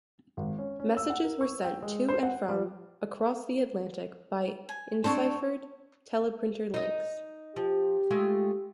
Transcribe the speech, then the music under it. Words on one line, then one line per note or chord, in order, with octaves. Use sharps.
Messages were sent to and from across the Atlantic by enciphered teleprinter links.
G#1
C#4
C#4
E6
F#5
A#4
C#6
G5
G#3
C5
F#5
G3
G#5
C4 D4 A4 C5 C#5 C#6
D#4 D#5
F3 G4
G#3 A3 F4